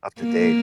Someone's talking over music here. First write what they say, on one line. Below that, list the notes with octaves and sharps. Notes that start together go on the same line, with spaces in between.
up to date.
A#3